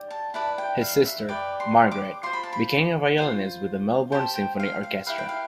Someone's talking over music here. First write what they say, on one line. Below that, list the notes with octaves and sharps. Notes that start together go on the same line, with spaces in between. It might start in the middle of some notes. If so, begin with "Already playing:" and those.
His sister, Margaret, became a violinist with the Melbourne Symphony Orchestra.
Already playing: G4 D5
A5
E4 B4 D5 A5
G5
F5
E5
G4 B4 D5 D6
C6
D6
F4 C5 C6
B5
A5
B5
F4 C5
G4 C5 A5
G5
F5
F5
E4 G4 B4 F5
G5
F5